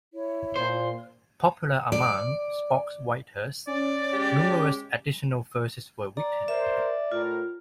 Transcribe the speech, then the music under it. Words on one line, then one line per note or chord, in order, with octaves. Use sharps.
Popular among sportswriters, numerous additional verses were written.
E4 C#5
A#2 C5
D5
C#4 D5
G#3 G4
D5 A#5
A#4 C5 E5
A2 F4 A#4